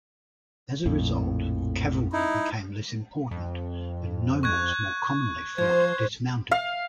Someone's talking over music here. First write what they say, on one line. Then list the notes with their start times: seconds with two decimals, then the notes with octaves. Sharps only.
As a result, cavalry became less important and nobles more commonly fought dismounted.
0.85 A#1 F2 A2
2.13 D#4 E4
3.31 F2
4.43 C#6 F#6 G#6
5.58 F3 C5 G#6
6.51 F5